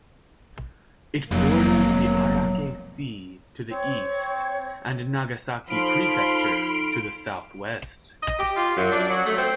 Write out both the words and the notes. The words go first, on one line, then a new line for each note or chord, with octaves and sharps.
It borders the Ariake Sea to the east and Nagasaki Prefecture to the southwest.
F1 B1 F2 F#3 A#3
C4 C#5
F3 D#4 A4 B5 C6 F6 D7
D#5
G4
F4
F#2
D4
F#3
A3
C4